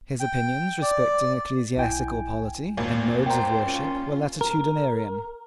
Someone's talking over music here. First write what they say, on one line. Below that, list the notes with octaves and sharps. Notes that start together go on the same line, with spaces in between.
His opinions respecting ecclesiastical polity and modes of worship were latitudinarian.
G5
D5
B1 E4 G5 G#5
G#1 D#2 A#2
C5 G5 A#5
C#4 F4
A#4